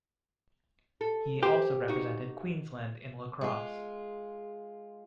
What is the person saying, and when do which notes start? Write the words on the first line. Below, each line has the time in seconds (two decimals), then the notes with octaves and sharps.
He also represented Queensland in lacrosse.
1.01 A4
1.43 G4 C5
1.88 D#4 F#4
3.41 G#3 F4